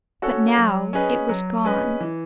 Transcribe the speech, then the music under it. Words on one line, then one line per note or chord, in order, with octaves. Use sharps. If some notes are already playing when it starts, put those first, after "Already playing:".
But now it was gone.
C#4 F#4 A4 C#5
F#3
C#4 G#4 B4 D#5
F#3
C#4 G#4 B4 D#5
E3